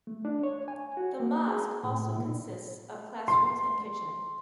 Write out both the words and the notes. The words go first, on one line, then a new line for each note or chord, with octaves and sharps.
The mosque also consists of classrooms and kitchen.
A3
D4
C#5
G#5
F#4
A#3
G#4
A2
A#2
C6